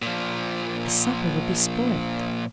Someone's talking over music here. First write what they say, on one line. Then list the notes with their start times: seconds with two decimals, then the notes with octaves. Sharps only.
The supper would be spoilt.
0.02 A#2 F3